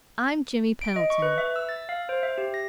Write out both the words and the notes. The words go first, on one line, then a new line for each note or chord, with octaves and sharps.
I'm Jimmy Pendleton.
D7
D#5
C#6
B4
E5
E6
A6
F5
C5
E5
G4
A#6